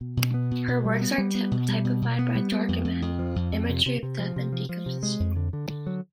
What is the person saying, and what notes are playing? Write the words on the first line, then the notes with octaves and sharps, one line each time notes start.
Her works are typified by dark imagery of death and decomposition.
B2
B2
B3
B2
B2
G3
B3
G3
B3
B2
G3
B2
B2
B3
G3
B3
F2
F2
F2
F3
F2
F2
C3
C3
C3
F3
C3
F3
F3
C3
G#3
F2
D3
D3
D3
F#3